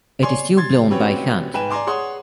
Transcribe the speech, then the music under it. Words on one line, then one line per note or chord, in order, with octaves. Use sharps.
It is still blown by hand.
C#5 D5 G#5 C6
C6 G#6 A6
C4 C#4 F#4 G4 B4 C#5
G#2 B4 G5 G#5 E7
D5 G#5 A#5 C6 D6
G#4 C#5 F#5 C6 D#6